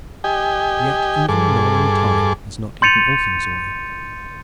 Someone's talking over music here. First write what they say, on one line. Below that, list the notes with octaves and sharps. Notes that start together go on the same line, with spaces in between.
And yet even gnawing Time has not eaten all things away.
G4 D#5 G5 G#5
G2 G#4 A4 D6
C6 G6 A6 C#7 D#7 F7